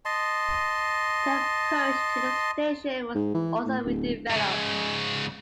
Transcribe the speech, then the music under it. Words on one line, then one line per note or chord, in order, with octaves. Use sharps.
The approach to the station was also redeveloped.
D#5 A5 C6
G#2
E3
A2
D1
G#2 C#3